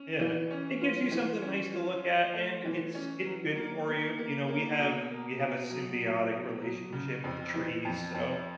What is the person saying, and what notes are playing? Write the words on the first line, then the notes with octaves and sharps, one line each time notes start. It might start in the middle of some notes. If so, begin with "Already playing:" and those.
Yeah. It gives you something nice to look at, and it's it's good for you. You know, we have we have a symbiotic relationship with trees, so
Already playing: C#4
E3
C#4
F4
E3
C#4
F4
F4
A3
E3
C#4
F#3
A#3
A#3
A#3
A#3
B2
A#3
B2
F#3
F#3
B2
F#3
C#3
F2
E3
F2
F2